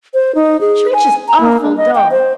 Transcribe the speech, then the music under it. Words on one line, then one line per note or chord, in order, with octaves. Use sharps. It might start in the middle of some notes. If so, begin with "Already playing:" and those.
Church is awful dull.
C5
D#4
G#4
G#5
A#5
A#3
D4
D#5
G5
C5